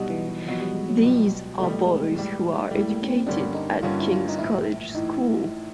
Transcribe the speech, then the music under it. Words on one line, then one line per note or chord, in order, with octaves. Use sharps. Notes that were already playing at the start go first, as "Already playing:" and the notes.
These are boys who are educated at King's College School.
Already playing: B2 F#3 G3 B3 D#4 F#4
E3
E3
B2 F3 F#3 B3 D#4 F#4
G3
G#3
F#3
C#2 B2 G3
C#2 B2 G3 A3
G#3
A2 E3 G3
A2 E3 G3 A3
A3
A#3
C#4
C4
G2 D3 G3 A#3 C#4 D4
D#4
G2 D3 G3 A#3 C#4 F4
E4
F4
D#4
A#1 A2 E3 E4
A2 E3 D#4